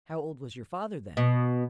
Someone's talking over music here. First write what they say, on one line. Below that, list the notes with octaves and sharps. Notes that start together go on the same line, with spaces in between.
"How old was your father then?"
B2